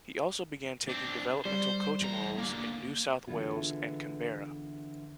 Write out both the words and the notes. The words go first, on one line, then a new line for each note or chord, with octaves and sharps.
He also began taking developmental coaching roles in New South Wales and Canberra.
C4 D4
G3 C5
E2 A#5
D3 A#3
D3 E3 B3 F4 G#4